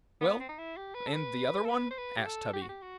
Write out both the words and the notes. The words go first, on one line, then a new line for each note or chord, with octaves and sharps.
'Well, and the other one?' asked Tubby.
B3
C4
D#4
E4
G4
B4
A4
B4
A4
B4
C5
B4
G4
A4
G4
F#4
G4
F#4